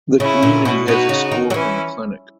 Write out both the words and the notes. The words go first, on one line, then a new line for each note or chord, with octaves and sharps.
The community has a school and a clinic.
C#3 C#4 E4
A#2
B2
B2 D#4 F#4
C#3
D#3
F#3
E3 C#4 E4